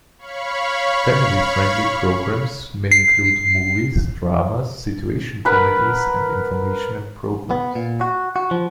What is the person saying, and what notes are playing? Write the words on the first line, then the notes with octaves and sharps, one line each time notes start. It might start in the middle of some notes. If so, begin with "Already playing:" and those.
Family friendly programs may include movies, dramas, situation comedies and informational programs.
C#5 F5 B5 C#6
C7
A#4 B4 F#5 B5
B3
A#2
F#4
F#4
F3